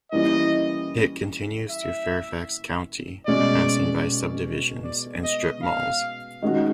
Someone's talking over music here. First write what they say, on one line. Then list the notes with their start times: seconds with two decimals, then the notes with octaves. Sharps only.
It continues through Fairfax County, passing by subdivisions and strip malls.
0.12 E3 G3 A#3 C#4 E4 D#5
1.70 E5
3.27 B2 G#3 C#4 D5
4.84 D5
5.23 D#5
5.63 F5
6.42 D#3 G#3 C#4 F#4